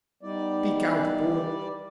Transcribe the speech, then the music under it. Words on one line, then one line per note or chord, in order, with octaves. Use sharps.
Speak out, boy!
G3 B3 D#4 D5